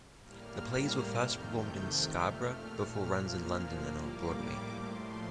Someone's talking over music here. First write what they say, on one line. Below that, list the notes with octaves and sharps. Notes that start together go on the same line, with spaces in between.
The plays were first performed in Scarborough, before runs in London and on Broadway.
A2 G3 A#3 F6
F2 C3 D#3 A3 G6
A#2 A3 F6
A#2 F3 A#3
A2 G3 A#3 D6
A2 F3 A3 C6